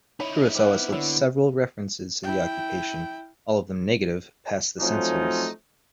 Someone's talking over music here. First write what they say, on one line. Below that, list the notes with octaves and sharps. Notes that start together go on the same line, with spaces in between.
Kurosawa slipped several references to the occupation, all of them negative, past the censors.
D#4 E4 C#5 B5
B3 C4 D6 F6 F#6
D3 E4 C#5 E5
E4 G5
F3 F#3 A3 C4 C#4 D#4